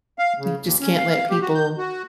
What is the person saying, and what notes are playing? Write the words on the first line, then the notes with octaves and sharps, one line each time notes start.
you just can't let people
F5
C#3
D#2
C#4
F5
F5
G4
F#4
G6
F#4